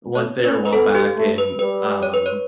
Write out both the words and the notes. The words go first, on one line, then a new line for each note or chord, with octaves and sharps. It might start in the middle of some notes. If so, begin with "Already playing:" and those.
went there a while back, and, um,
A3 C#5
C#4 B4
B4
B3 A4
G4
A3
B4
G3 B4
C#5
B4
C#5